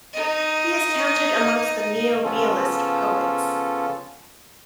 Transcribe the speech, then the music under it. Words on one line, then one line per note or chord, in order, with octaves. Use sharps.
He is counted amongst the neorealist poets.
D#4 D#5
C#3 F3 B3 C#4 F4 A4